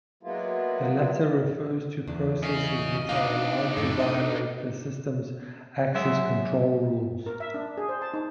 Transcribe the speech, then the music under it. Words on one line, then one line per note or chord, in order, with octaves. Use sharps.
The latter refers to processes which are allowed to violate the system's access-control rules.
F#3 G#3 A#3 B3 E4 F4
E2 D4
C#3 D#5 F5
A#2 D4 D#4 F5
F#2 A2 A4
D#5
F#3 G#3 E5
A#4
E5
D4
G#4
C5
A5
D#4